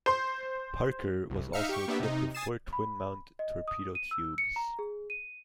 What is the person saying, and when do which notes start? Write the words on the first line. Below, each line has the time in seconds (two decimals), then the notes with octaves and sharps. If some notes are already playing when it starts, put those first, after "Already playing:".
"Parker" was also equipped with four twin mount torpedo tubes.
0.06 C5 C6
1.30 C2
1.53 D#4 E5 F5 F6 C#7
1.69 G4 C#6
1.88 A#3 B3 D4 G4 E5
2.00 C3 D#4
2.35 G#5 D#6 A6 C7 E7
2.73 B5
3.39 D#5
3.68 D#6
3.95 D#7
4.11 E6
4.38 C#7
4.56 A#5
4.79 G#4
5.10 D#7